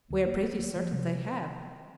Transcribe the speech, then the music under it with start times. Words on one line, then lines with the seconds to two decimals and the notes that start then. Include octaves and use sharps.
"We are pretty certain they have."
0.10 D2
0.26 A#3
0.43 A#3
0.59 A#3
0.76 F3
0.92 C3